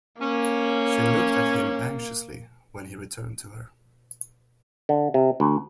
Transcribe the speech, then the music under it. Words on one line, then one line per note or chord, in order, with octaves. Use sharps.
She looked at him anxiously when he returned to her.
A#3 C#4
D3
C3
D2